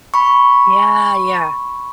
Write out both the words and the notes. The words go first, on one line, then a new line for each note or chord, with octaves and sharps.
Yeah, yeah.
B5 C#6